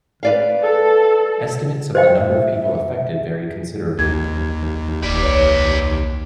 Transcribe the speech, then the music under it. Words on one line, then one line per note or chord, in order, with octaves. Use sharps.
Estimates of the number of people affected vary considerably.
B4 D5 F5
A4
C5 D#5 E5 G5
D#2 G#6
E1 B4 D5
C2 C#5